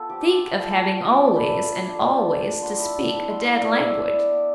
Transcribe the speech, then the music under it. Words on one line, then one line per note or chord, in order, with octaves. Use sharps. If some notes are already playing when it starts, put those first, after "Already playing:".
Think of having always--and always--to speak a dead language!
Already playing: B3 F4 A4
F3 G4
F4
B3
A3 F5
A3
G5
F4
D4 A5
A3
B5
A3
F4
D4
A3
A3
F4
D4
B3 C6
E4 B5
B3 A5
E4 B5
B3 C6
E4 D5
B3 E5
E4 E5
C5
B3 D5
E4
B3